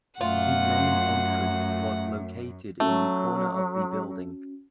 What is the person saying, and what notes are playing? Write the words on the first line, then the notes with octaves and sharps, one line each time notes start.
The main entrance was located in the corner of the building.
F#2 A3 F4 F#5
F#3 A3 C#4 F#4